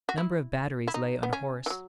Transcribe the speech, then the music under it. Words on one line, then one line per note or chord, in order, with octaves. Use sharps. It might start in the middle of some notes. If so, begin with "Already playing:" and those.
A number of batteries lay unhorsed.
F#4
E4
E4
D#4
B3
C#4
E3
F#3